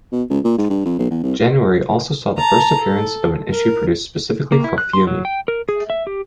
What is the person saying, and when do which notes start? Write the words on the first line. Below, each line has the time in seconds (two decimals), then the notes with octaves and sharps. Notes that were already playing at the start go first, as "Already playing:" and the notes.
January also saw the first appearance of an issue produced specifically for Fiume.
0.12 B2
0.30 C#2
0.45 A#2
0.58 G#2
0.70 G2
0.86 F2
0.99 B1
1.11 E2
1.23 C2
2.37 A5 A#5
2.80 A4
3.52 A#4
4.52 A#3
4.64 E4
4.78 F#6
4.93 C6
5.07 F#3
5.25 G5
5.48 A#4
5.69 G#4
5.90 E5
6.07 G4